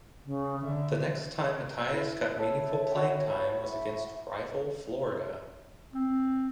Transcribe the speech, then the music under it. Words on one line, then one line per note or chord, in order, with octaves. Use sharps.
The next time Mathis got meaningful playing time was against rival Florida.
C#3
D3 E5
E4 B4
A4 C#5 E5
F#4 G5
B5
E5
C4